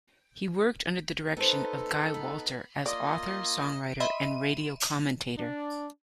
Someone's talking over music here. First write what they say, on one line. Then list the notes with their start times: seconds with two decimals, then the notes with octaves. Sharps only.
He worked under the direction of Guy Walter as author, songwriter and radio commentator.
1.37 B3 D#4 A4 B4 C5
2.14 B3
2.86 A#3 F4 D5 D#5
4.00 D#5 E5 B5 C6
5.37 D4